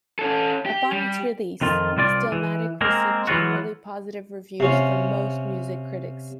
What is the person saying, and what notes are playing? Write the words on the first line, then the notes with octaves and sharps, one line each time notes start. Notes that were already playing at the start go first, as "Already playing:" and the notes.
Upon its release, "Stillmatic" received generally positive reviews from most music critics.
C#4 A4
G4
G3
F2 D#3 F4
C2 G3 F4 D5
E3
G#3 A#3 C4 A#4
E3 F#3 F4 F#4
C3 C#4 F4